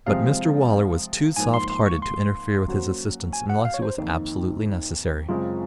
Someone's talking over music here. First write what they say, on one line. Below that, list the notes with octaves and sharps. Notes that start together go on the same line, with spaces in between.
But Mr Waller was too soft-hearted to interfere with his assistants unless it was absolutely necessary.
C3 F3 G#3 C4 F5
G#2 F3 A#3 G#5
C6
C6
C#6
C6
F#3 A#3 C#4 F#4 C5
G#5
F#5
F5
C#5
C5
F2 D#3 A#3 D#4
F#2 C#3 G#3 C4 F4